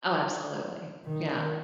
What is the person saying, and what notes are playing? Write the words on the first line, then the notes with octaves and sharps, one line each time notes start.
Oh absolutely, yeah.
D#3